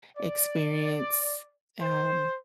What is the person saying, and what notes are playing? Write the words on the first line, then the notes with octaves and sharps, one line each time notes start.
experience, um,
D5
C5